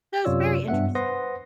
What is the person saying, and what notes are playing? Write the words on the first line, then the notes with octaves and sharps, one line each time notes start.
So, it's very interesting.
F#2 C3 F4 C#5 D5 E6
G2 B3 E5 F#5
B4 C5 F#5 C6 D#6 A#6